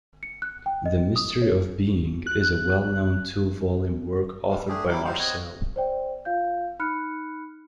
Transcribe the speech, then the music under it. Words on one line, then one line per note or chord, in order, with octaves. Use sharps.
"The Mystery of Being" is a well-known two-volume work authored by Marcel.
C#7
F#6
G5
D#5
D#6
C#5
F#6
G3 G#3
A3 D4 G4 G#4
F#3 G3 E4 D6
G3 G#3 D#4 C5
C4 C#5 D#5 F#5
C5 D5 G5
F4 F5 G6
D#4 B5 F6 F#6 C#7